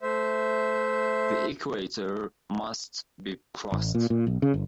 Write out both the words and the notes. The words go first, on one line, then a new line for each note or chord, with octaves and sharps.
The equator must be crossed.
A3 C5 E5
A1
A#2
A#2
B1
C#3
G1